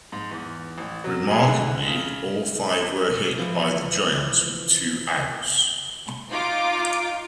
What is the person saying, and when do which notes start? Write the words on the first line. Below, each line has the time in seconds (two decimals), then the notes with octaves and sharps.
Remarkably, all five were hit by the Giants with two outs.
0.12 G#2
0.31 E2
0.78 A1
1.04 F#3
1.31 G#4
1.48 D3
1.87 C#3
3.38 E3 F3
6.28 D#4 F4 D6